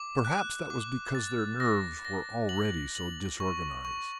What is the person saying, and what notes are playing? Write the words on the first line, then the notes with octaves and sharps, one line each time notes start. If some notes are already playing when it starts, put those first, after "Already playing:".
Perhaps that was because their nerves were already so disorganised.
Already playing: D6
F#6
D6
A6
A#6
A#6
F#7
F#7
C#6
C#6